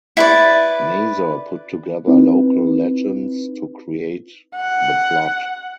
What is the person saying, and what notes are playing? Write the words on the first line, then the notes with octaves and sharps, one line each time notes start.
Nazor put together local legends to create the plot.
E4 B4 D5
C4 D#4 E4 B4
F#5